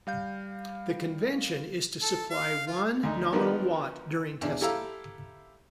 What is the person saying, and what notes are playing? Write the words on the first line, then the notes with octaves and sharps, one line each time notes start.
The convention is to supply one nominal watt during testing.
G3 F5 G6
A4
F5
F4
D2 D#4
D3 D#3 F3 B3 A#4
E2 D4
E4 G4 A4 F5 A#5 E6